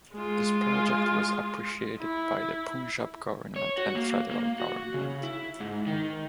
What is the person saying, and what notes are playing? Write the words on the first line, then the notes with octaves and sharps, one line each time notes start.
This project was appreciated by the Punjab Government and Federal Government.
G#3 F4
E4
C#5
F#4
A#3
A#3
F#4
C#3
E4
G#2
D#3